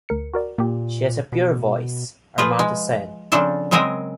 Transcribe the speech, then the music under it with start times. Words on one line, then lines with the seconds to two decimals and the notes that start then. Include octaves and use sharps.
"She has a pure voice," Armato said.
0.09 D2 A#4 C#7
0.34 F#4 A#4 D5
0.58 A#2 A#3 G4
1.32 B2
2.38 F3 F4 G#4 B4
2.59 G#3
3.32 C#3 F3 C4 D4 A4 A5
3.71 C#3 F#3 G#3 C4 G#4 A#4